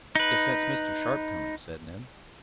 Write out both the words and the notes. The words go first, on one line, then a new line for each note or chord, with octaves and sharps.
"Guess that's Mr. Sharp coming," said Ned.
D#4 B4